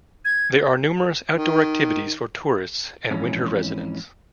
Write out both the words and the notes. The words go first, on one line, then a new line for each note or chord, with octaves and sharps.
There are numerous outdoor activities for tourists and winter residents.
G#6
D#3
F2 G#2 E3 C#4